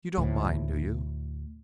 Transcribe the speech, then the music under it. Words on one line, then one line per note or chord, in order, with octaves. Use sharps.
You don't mind, do you?
D2 A2